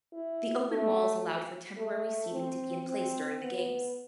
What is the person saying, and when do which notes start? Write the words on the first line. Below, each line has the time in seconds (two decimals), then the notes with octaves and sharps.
The open walls allowed for temporary seating to be in place during the games.
0.13 E4
0.68 A3
1.77 A3
2.32 C4
2.87 C4
3.42 B3